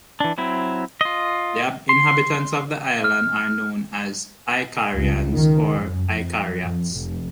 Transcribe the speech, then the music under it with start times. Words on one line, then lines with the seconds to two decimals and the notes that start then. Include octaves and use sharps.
The inhabitants of the island are known as Icarians or Icariots.
0.20 E3 D4
0.38 F#3 C4 E4
1.01 F4 D#5
1.89 C6
3.04 F6
4.95 C#2
5.33 D#3
5.80 F#2
6.10 F2
6.61 F2
6.94 F1